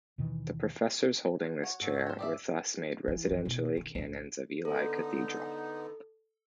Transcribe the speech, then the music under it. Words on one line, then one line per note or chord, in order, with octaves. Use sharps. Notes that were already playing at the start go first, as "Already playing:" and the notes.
The professors holding this chair were thus made residentiary canons of Ely Cathedral.
D#2 B2 D#3 E3
F#4 C#5 F#5
G#2 D4 F#4 A4
C5 C#5
G4 G#4 D5 E5 F5
E3
F#2 E3
B2
D#3
C#2 A2
D3 B3 D#4 A4